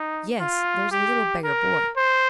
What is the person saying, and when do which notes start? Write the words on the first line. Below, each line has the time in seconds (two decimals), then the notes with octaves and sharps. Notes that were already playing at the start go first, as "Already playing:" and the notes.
"Yes; there's a little beggar boy."
Already playing: D#4
0.40 F4
0.91 G4
1.44 A#4
1.96 C5